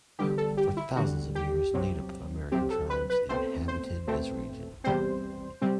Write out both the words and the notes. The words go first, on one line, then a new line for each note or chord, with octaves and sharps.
For thousands of years, Native American tribes inhabited this region.
E2 D3 G3 G4
A4
G4
E4
E2 D3 G3 F#4
G4
C2 C3 F#3 C4
C2 C3 F#3 C4 G4
A4
B4
B4
B2 A3 C4 C5
C5
B2 A3 C4
E2 C3 G3 C4 C5
C3 G3 C4